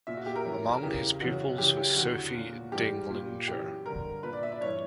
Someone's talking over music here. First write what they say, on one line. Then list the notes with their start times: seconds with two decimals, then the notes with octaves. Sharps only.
Among his pupils was Sophie Dinglinger.
0.07 A#2 E5
0.17 F#4
0.26 G4
0.36 A#4
0.45 F#2 E3
0.72 A#4
0.83 E2 C#3 E3 G4
1.21 F#2 C#3 E3 F#4
1.58 F#2 C#3 E3 G4
1.78 G4
1.96 E2 D3 F#4
2.34 A#2
2.72 G2 E3 G4
3.10 A#2
3.48 F#2 E3 G4
3.86 G2 D3 A#4
4.23 A#2 B4
4.33 D5
4.43 E5
4.52 D5
4.61 G2 E3 C#5